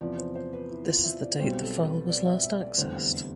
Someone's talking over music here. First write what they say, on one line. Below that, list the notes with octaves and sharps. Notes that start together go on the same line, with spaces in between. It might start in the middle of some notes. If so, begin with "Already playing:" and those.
This is the date the file was last accessed.
E2 C3 F3 D5
C5
C5
B4
E4
F4
E5
D5
B1 B2 G3 C4 C5
A4
B4
D5
E5
E5
D5
F1 E2 D3 G3 C5